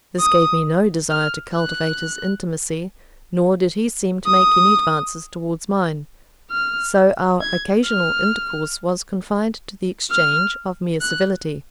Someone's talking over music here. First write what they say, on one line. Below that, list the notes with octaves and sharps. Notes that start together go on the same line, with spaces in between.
This gave me no desire to cultivate his intimacy, nor did he seem to make any advances towards mine; so our occasional intercourse was confined to the exchange of mere civility.
D#6
F6
F#6
D#6
F6
G#6
F6
F6
F#6